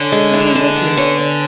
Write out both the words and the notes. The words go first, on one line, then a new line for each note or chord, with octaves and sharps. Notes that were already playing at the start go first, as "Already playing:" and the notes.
She came with me.'
Already playing: D3 C#4
G#3
E4
G#3
B3
C#4
C#4